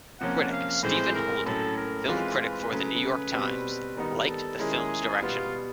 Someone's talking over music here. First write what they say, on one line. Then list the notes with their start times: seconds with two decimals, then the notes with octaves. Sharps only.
Critic Stephen Holden, film critic for "The New York Times", liked the film's direction.
0.20 C3 F3 A#3 C#4 F#5
0.52 F5
0.83 A2 E3 G#3 C4 C5
1.15 A#4
1.46 A2 F#3 A3 C#4 A4
1.77 A#4
2.08 E3 G#3 C4 F4 B4
2.40 B4
2.71 C#3 F#3 A3
3.33 B2 G3 C4
3.97 D#3 G3 B3 D#4
4.29 A4
4.59 D#3 G#3 C#4 E4 G#4
5.22 B2 G3 B3 F4